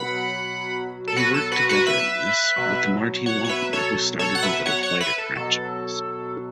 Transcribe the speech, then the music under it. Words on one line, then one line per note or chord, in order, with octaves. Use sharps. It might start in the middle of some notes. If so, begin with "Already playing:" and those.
He worked together on this with Marti Wong who started the Little Fighter franchise.
Already playing: B2 F#3 F#5 B5
A4
F#4 B4
A4
F#4 B4
F#4 B4
B4 E5
B2 F#3
C#5 F#5
C#5
B4 E5
A4 C#5
A4 C#5
F#5
B4 E5
C#5 F#5
C#5 F#5
B4 E5
A4
B2 F#3 A4